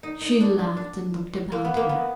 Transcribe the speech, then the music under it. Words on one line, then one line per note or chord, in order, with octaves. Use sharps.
She laughed and looked about her.
D#4
D#4
D4
D4
D4
A#3
B3
A#3
B3